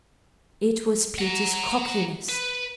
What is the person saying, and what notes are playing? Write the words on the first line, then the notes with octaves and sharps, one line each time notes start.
It was Peter's cockiness.
F#5 A#5
B4